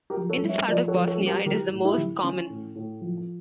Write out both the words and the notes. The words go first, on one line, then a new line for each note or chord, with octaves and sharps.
In this part of Bosnia it is the most common.
G4 A#4
F3
A4 C#5
G2
C#5 E5
F3 A#4 D5
A4 C#5
F3
A4 C#5
G2
G4 A#4
E3 G4 A#4
A2
E4 G4
E3
E3 C#4
A2
A2
F3